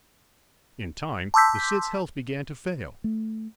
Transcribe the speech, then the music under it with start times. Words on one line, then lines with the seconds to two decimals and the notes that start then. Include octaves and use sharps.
In time the Cid's health began to fail.
1.34 A5 C6 D6 E6 G6 B6
3.04 A3